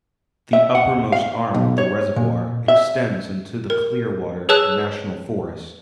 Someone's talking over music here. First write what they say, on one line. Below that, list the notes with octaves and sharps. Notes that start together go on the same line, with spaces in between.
The uppermost arm of the reservoir extends into the Clearwater National Forest.
E5
F#5
F5
B1
C#5
A#2
E5
A#4
G#4 B4 C#5 A5 E6 F#6